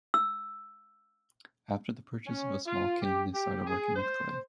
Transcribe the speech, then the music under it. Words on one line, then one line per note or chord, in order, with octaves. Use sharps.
After the purchase of a small kiln they started working with clay.
E6
C#4
F4
G4
G4
G#4
C5